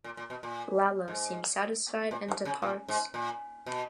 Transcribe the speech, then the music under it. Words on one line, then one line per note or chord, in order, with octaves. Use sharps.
Lalo seems satisfied and departs.
A#2
A#2
B2
A#2
G#2
A#2
G#2
C#3
A#2
G#2
A#2
B2